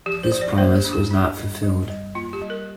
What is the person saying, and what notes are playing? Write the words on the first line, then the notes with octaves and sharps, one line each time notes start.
This promise was not fulfilled.
F3 G4
C5
F3
D5
A#3 C5
G4
D4
G4
D4
G3
G3
G3
A#3 F4
G4
G3
A#4